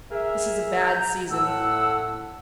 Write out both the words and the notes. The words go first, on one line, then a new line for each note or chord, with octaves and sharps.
This is a bad season.
G#4 A#4 E5
A#5 G6
A2 F#5 A5 E6